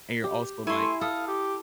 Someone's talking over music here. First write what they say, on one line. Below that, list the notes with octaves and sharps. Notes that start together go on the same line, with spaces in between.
and you're also like"
G4
A3 E4 G#5 C6
A4 F5 D#6
G4